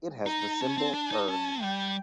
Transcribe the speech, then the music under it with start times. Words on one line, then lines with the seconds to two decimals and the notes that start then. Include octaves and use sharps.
It has the symbol "erg".
0.26 D#4 A#5
0.60 C#4 A5
0.78 C4
0.94 D4
1.11 D#4
1.28 C#4 A5
1.62 G3 G5